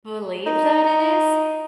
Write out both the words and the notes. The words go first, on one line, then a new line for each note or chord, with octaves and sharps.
believe that it is,
D#4